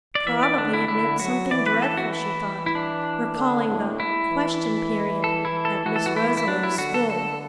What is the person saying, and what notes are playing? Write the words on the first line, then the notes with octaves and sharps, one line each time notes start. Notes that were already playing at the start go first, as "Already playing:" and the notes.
Probably it meant something dreadful, she thought, recalling the "question period" at Miss Rosalie's school.
D5
E3 E5
D5
D3 D4
E4
D3 E4
F#3 F#4
E3 D5
B4
A4
F#4
E4
E4
D4
D3
A2
E4
E3
A4
E4
A4
E3 F#4
A4
F#4
E4
E4
F#3 D4
E4
D3 F#4
A4
A4